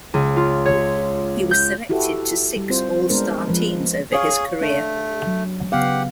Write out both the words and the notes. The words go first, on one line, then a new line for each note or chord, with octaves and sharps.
He was selected to six All-Star teams over his career.
C#2
F4
C#5
G6
E4 F#4 G4 A4 B4
G3
C4 F4 C5
G#3 B3 D4 A#4 C5
F3 G#3 B4
G#4 C#5 F5
A3 D4
F#3
C#3 B3 G4 F5 F#5